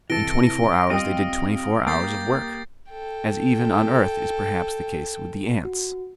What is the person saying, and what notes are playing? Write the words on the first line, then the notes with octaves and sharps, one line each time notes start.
In twenty-four hours they did twenty-four hours of work, as even on earth is perhaps the case with the ants.
C3 E3 A4 A#6 D7 G7
G3 C4 F4 D#5 G5 D#6
A#3 G4 G6 A6 C7
A4 G5
F#4